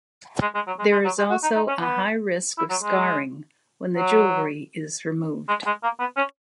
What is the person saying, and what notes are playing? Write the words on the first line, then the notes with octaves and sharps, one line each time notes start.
There is also a high risk of scarring when the jewellery is removed.
G#3
G#3
F#3
G#3
G#3
F#3
G#3
F#4
D#4
D#4
C#4
B3
E4
F#3
G#3
F#3
G#3
G#3
A#3
B3
C#4